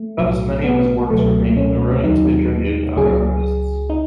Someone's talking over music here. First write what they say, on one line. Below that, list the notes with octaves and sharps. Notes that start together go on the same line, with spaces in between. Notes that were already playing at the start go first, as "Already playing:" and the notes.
Thus, many of his works remain erroneously attributed to other artists.
Already playing: A3
B1 A2 F#3
B3
C#2 B2 F#3 A3
C#4
D#2 D#3 F#3 D#4
C#2 C#3 F#3 G#4
D#4